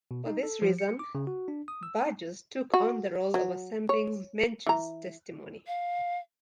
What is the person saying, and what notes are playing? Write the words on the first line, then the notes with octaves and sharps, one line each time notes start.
For this reason, Burgos took on the role of assembling Menchu's testimony.
B2
D#4
A4
F3
C#7
D6
C#3
F#4
D4
D#6
E6
F#4
F#3
C#5
E3 A#5
F5